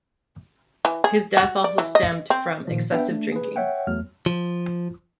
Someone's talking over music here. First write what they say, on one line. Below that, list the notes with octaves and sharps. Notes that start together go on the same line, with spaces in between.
His death also stemmed from excessive drinking.
E3
G#4
F#4
D5
E3
D#5
C4
A#2 D#3 F3
B3 D4 B4 E5 G5
A3 D4
G#4 B4
C#5 E5 F#5 G5
E2 F#3 A3 F6
F3